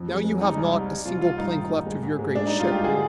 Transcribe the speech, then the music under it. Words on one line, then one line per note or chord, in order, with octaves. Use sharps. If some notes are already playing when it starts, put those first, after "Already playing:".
Now you have not a single plank left of your great ship!
Already playing: F2
G#3
G#3
G3 D#4
C2
G3
G3
C2 F4
C2 F4
G2 D#4
D#3
G2
G#3
G#2
G#3
G#3 D4
G2 D#4
F4
G#3 G4
D3 G#4